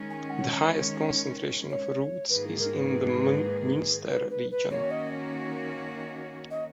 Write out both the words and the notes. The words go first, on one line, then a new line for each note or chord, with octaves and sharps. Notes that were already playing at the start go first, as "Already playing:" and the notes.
The highest concentration of routes is in the Munster region.
Already playing: D#3 G#3 C#4
G#5
F#5
C#5
G#2 D#3 A#3 D#4 G#4 B4
A#4
B4
B4
B4
B4
D#3 A#3 C#4 F#4 C#5
D#5
D#5